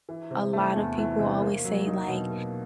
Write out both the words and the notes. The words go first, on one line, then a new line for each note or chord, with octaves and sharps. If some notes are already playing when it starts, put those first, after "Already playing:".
a lotta people always say, like
E3
C3
A3
E2
E3
C3
A#3
F#3
D#4
B2
A#3